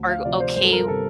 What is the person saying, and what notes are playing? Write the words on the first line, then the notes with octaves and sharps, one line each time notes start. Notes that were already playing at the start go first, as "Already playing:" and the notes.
are okay with
Already playing: D2
F5
C3 F3 D5
C5
G1 C5
A4
A#4
C3 A4